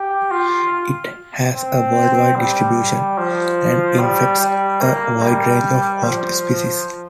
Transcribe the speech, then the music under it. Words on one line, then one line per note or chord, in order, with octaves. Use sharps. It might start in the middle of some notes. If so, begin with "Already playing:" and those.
It has a worldwide distribution, and infects a wide range of host species.
Already playing: G4
F4
C4
G3
F3
G3
G3
A#3
G3
F3